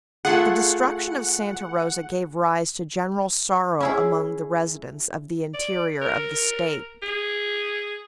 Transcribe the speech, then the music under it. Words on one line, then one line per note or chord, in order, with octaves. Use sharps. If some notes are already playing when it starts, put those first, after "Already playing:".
The destruction of Santa Rosa gave rise to general sorrow among the residents of the interior of the State.
A3 F4 G#4 F#5
C#4 E4 G#4
D5
A#4
G#4